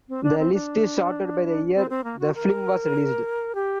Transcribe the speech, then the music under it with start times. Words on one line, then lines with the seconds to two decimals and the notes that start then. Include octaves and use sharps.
The list is sorted by the year the film was released.
0.09 C4
0.24 D4
0.38 C4
0.53 D4
1.75 C4
1.90 C4
2.04 A#3
2.19 F#4
2.35 A#4
3.55 G4